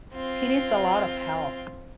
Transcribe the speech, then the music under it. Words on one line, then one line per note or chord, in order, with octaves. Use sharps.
He needs a lot of help.
C4 F4